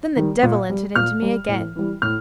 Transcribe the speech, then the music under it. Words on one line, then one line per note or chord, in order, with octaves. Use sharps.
Then the devil entered into me again.
D#3 G3
A#2
G3
A#2 F6
G3
A2
E3 G3
A2 F6